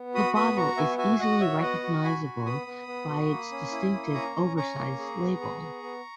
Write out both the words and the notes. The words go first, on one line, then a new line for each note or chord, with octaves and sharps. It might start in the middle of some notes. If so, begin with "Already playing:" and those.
The bottle is easily recognisable by its distinctive oversized label.
Already playing: B3
F#4 B5 D#6
B3 B5 D#6
F#4 A#5 C#6
B3 E5 G#5
F#4 E5 G#5
F#4 D#5 F#5
F#4 C#5 E5
B3 D#5 F#5
F#4
F#4 G#5 B5
F#4
B3 B5 D#6
B3
B3
F#4
A#3
C#4
E4
A#3
C#4 A#5 C#6
C#4
C#4 A#5 C#6
A#3
G#4
B3
G#4
B3
B3